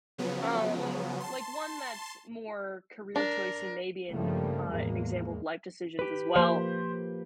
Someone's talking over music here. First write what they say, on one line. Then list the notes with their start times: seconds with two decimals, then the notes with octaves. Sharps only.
um, like one that's more career choice and maybe and, uh, an example of life decisions as well.
0.18 C#3 F3 F#3 B3
1.20 A5 C6
3.16 D4 A#4
4.11 G2 C#3 F3 G3 A3 A#3
4.70 E2 A2 G#3 A#3
5.99 G4 B4
6.36 F3 A#3 C5